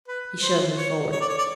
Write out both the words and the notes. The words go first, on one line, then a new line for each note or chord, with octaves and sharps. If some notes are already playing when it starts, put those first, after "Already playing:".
He shoved me forward.
B4
C5
C#5
C#5
D5
C#5
D5